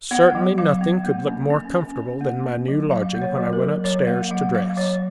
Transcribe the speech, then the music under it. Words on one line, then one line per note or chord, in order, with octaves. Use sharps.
Certainly nothing could look more comfortable than my new lodging when I went upstairs to dress.
B3 F#5
F#3
F#3 F5
B3
A#3
C#4
C#4
C#4
C#4
A#3
C#4
F#3
F#3 F5
A#3
C#5
F#3
A#4
F#3
F#3 C#5
A#3 F5
F#3 F#5
F#3 F5
F#3 C#5